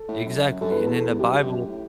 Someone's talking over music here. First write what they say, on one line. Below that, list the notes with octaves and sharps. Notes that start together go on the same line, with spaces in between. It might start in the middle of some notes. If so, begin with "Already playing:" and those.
Exactly, and in the bible
Already playing: A4
A2
F#2
F#2 A4
E2 B4
A4
F#2 G4
G2
F#2
A2